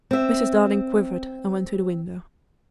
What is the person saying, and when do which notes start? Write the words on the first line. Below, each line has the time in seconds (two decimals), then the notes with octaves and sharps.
Mrs. Darling quivered and went to the window.
0.11 C4 E5